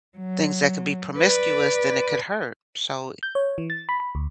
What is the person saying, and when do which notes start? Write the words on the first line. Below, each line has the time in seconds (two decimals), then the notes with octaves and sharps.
things that could be promiscuous, then it could hurt; so,
0.18 F#3
1.17 B4 D5
3.23 G6
3.35 C#5
3.58 E3
3.70 A6
3.89 B5
4.00 B5
4.15 D2